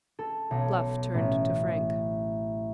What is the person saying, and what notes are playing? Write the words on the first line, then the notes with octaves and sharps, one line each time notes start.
Bluff turned to Frank.
A4
B1
A1